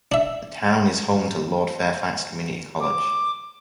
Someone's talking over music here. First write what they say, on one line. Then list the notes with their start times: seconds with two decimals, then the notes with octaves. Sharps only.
The town is home to Lord Fairfax Community College.
0.12 D4 E5
2.80 D6